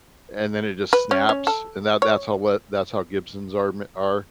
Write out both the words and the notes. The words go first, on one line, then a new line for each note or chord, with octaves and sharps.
and then it just snaps, and tha that's how tha that's how Gibson's are mea are
B4
C#4
C#4
A4
C#5